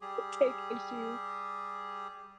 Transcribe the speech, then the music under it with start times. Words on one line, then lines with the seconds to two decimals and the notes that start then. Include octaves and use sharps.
take issue
0.01 G3 G4 G#4